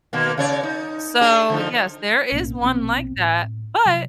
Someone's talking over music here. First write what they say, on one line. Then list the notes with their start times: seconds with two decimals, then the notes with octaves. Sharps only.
So, yes, there is one like that, but
0.13 B2 D#3 A#3
0.37 C#3 C#5 D5
0.63 D#4
1.21 D4 G#4
1.50 D3 F3 D#4
2.32 B1 A2 A#3 C#4
2.61 A#1 B2 E3 C4
3.16 A2
3.86 C3 F#3